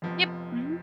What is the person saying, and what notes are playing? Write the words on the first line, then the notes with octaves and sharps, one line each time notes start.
Yep, mhm.
F1 F2 F3 B3